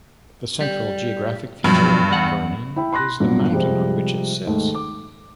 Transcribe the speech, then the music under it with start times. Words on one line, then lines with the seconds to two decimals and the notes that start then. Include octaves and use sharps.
The central geographic feature of Mount Vernon is the "mountain" on which it sits.
0.61 G3
1.64 G2 B2 F3 F#3
2.11 E2 F#5
2.76 E4 G5 B5
2.92 B5 C6 F#6 A#6
3.20 G2 A#2 F#3 B3
3.51 C3 F3 G3 G#3
4.47 D#2 G#2 D#3 A3
4.75 D6